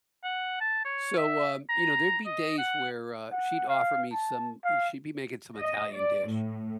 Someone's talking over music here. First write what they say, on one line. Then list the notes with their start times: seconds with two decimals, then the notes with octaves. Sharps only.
so, um, you know, there'd be days where, uh, she'd offer me some i she'd be making some Italian dish,
0.24 F#5
0.61 A5
0.85 C#5
1.18 E5
1.69 A#5
2.26 D#5
2.58 F#5
3.32 F#5
3.69 F5
4.13 A5
4.64 F5
5.58 D#5
5.95 D5
6.30 A2